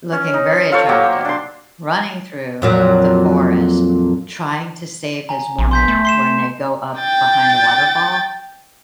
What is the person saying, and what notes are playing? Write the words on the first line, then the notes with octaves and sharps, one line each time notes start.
looking very attractive, running through the forest, trying to save his woman when they go up behind the waterfall,
C#4
D#4
F4 A4 C5 C#5
F#3 A#3 G4 A#4
C5
D4 C6
F2 A#2 F#3
G#5 A#5
A#1
C6 G6 B6
A3
C6 C7 E7
G5 A6